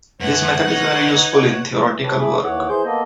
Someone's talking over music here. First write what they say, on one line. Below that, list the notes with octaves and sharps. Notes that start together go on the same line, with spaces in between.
This method is very useful in theoretical work.
F#2 B4 C#5 F#5
D#4
E3
G4 A4 B4 C#5
A3 G#4 B5 D6
D#2 E3 C#5 F#5 D6
E3 G#4 C5 G6
A#3 B3 A4 D#5